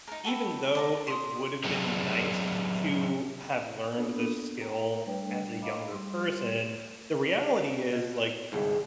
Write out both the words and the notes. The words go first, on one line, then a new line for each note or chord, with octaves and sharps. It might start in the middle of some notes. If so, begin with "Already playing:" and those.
even though it would have been nice to have learned this skill as a younger person, the reality is, like,
D#4 A#4
F#4 A4 G5 B5
A#4 A5 D6
C6 D#6
F#3 C4 D4 E4 G4 G#4
A#3 B3 D4 A4 B5 D#6
A#4 G5 A#5
G3 A3 D4 B4 G5
D#5 F5 A#5 B5 D6
G3 G4 C6
B2
G1 C2 G#2 G#4